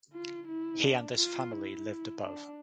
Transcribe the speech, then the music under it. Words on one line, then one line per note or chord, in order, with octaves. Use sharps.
He and his family lived above.
F4
E4
D4
F4
E4
D4